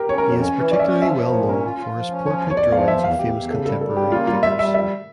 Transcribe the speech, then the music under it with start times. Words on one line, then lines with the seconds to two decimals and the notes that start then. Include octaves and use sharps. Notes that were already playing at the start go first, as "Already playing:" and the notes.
He is particularly well known for his portrait drawings of famous contemporary figures.
Already playing: G4 A#4
0.08 C#4 C#5
0.18 A#4
0.24 F2
0.29 C#5
0.40 C#4
0.56 E3
0.71 C#4 D5
0.79 E5
0.86 C#4 D5
1.02 F3 E5
1.17 F3 C#5
1.27 A#4
1.33 A#2 C#5
1.49 C#4 A#4
1.64 F4
1.79 F4
1.94 F3
2.10 C#4
2.25 F3 C#5
2.41 E2
2.51 C#5
2.57 E2 D5
2.72 F3 F5
2.88 E2 E5
3.03 E2 F5
3.19 E2 G4
3.35 E2
3.50 C#3 A4
3.65 G3 A4
3.81 G3 A4
3.97 C#3 G4
4.12 A#3 F4
4.27 G3 F4
4.43 G3 E5
4.59 G3 E5
4.74 F2 E5